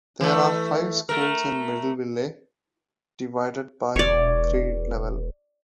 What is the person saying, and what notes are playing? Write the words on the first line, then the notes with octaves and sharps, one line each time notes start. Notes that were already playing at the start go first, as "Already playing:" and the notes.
There are five schools in Middleville, divided by grade level.
E3 A3
A3 A#4
E1 C#5 D5